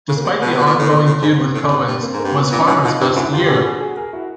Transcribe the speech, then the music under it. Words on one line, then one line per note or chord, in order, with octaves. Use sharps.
Despite the ongoing feud with Cowens, was Farmer's best year.
C#3
A#3
C3
B2 B3
C3
B2
A#2
A2
A#2
A2
G#2
G2 B3
A2
B3 C#4
G2
G2
A#3 C4
G#2
G2 A#3
F#2 B3
B3
A#2
C#4 D#4
B2
C#4 D#4
B2 D#4 F4
G2
F#2 D4 E4
G2 F4 G4
F#4 G#4
F#4 G#4
F#4 G#4
G#4 A#4
E4 F#4